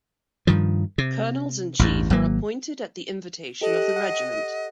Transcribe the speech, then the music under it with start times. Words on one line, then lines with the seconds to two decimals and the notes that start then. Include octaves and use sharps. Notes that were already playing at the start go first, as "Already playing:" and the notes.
Colonels-in-Chief are appointed at the invitation of the regiment.
0.47 G2 D#3 F3
0.98 C3
1.79 A1 E2 G2
2.10 G#1 F#3 A#3
3.61 G4 A4 D#5 F#6
3.96 F#5